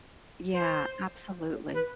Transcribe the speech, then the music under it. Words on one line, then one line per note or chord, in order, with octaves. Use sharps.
Yeah, absolutely.
C5
B4